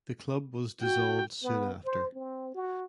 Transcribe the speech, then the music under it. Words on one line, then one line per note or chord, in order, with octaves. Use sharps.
The club was dissolved soon after.
F#4 G5
B3
C5
C4
F#4